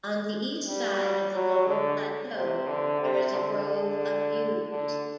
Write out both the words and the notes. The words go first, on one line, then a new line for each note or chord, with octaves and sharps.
On the east side of the lower plateau there is a grove of yews.
G3
F#3
D3
C3
D3
C3
D3
D3
D3